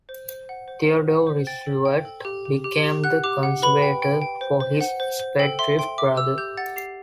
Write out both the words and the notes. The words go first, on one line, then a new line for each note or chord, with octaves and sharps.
Theodore Roosevelt became the conservator for his spendthrift brother.
C5
C5
F#5
C5
C5
F#5
C5
G5 A6
A4
G5
A4
G4
G4
G4
G4
F#5 F#6
G4 D6
F#5
B4 B5
G5
G5
G5
C5
C5
F#5
C5
C5
A4 G5
E5 C6
G5 C6
E5 D6
G4 E6
G4 G6
F#5 A6
G4 C7